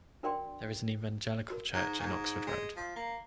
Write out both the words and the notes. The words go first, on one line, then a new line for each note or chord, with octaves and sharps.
There is an Evangelical church in Oxford Road.
D4 F#4 A#4 D5 G5 C6
F#4 A#4
G#2
G#2
G#3
F3
A#3